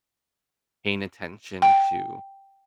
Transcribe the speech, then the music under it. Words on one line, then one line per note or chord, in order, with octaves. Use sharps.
paying attention to
G5